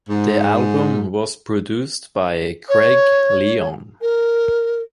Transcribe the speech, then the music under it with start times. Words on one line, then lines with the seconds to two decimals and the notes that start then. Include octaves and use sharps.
The album was produced by Craig Leon.
0.09 G#2
2.69 C#5
4.02 A#4